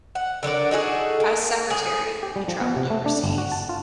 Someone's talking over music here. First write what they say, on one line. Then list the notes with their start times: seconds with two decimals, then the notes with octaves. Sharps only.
As Secretary, he traveled overseas.
0.15 F#5
0.43 D3 F#3 A#4 D5
0.71 D#4 F#4 G#4 A4
1.20 A#3
1.70 A2 G#4
2.23 G4
2.36 G3
2.48 F3
2.61 B3
2.76 C3
2.90 A3
3.06 D4
3.24 G1
3.38 F#4
3.52 A5
3.69 F4